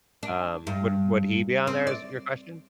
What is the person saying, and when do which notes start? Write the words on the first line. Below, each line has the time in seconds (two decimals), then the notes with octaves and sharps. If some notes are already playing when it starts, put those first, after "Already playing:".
Um, would would he be on there is your question?
0.23 D4
0.67 G2
1.67 C4
1.87 D5